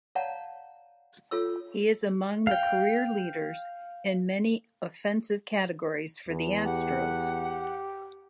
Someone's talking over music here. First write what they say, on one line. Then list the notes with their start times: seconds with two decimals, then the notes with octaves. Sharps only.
He is among the career leaders in many offensive categories for the Astros.
0.15 C#5 D5 F5 F#5 A5 A#5
1.31 F4 A4 C#5 E6
2.47 F5 G5
6.28 E2
6.66 G4 F#5